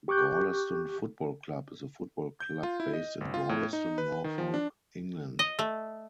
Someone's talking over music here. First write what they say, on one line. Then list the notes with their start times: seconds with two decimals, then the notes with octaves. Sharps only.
Gorleston Football Club is a football club based in Gorleston, Norfolk, England.
0.08 G4 C#6 D6 F#6 G6
2.40 G6
2.63 F4
2.80 E4
2.94 D#5
3.21 G1
3.34 F4
3.49 A2
3.73 D#4
3.98 B4
4.24 D#3
4.38 F3
4.54 D4
5.39 D#5
5.59 A3